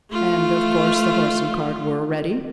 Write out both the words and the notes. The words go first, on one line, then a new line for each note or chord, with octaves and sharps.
"And, of course, the horse and cart were ready?"
A3 F4